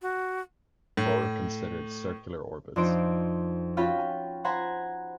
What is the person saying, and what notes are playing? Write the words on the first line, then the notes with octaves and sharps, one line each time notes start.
Bohr considered circular orbits.
F#4
A2
F2 D4 D#4 C5 D7
C#4 F4 F#4 G5 B5
C5 F#5 G#5 A#5 B5